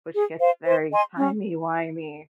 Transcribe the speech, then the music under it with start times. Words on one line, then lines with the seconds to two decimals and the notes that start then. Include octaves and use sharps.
which gets very timey-wimey.
0.14 G#4
0.39 C5 F5
0.65 C5
0.91 D#5 G#5 C6
1.17 C#4